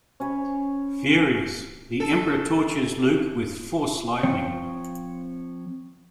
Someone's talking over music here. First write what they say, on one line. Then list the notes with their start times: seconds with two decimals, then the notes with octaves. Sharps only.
Furious, the Emperor tortures Luke with Force lightning.
0.20 C#4 C#5 G#5 B5
2.00 A4
4.23 F3 C4 C#5